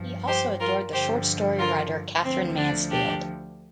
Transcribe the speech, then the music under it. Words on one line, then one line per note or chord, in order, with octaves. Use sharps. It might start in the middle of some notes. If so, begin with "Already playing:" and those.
He also adored the short-story writer Katherine Mansfield.
Already playing: G2 F3
G4 C5
F4 A#4
G2 D3 F3 G4 C5
F4 A#4
D2 D3 F3 C4
D4
D4 G4